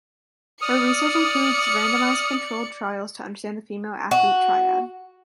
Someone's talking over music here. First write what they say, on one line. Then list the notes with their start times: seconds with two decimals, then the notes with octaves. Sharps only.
Her research includes randomized controlled trials to understand the female athlete triad.
0.61 D5 D#6 F6 C#7
4.11 F#4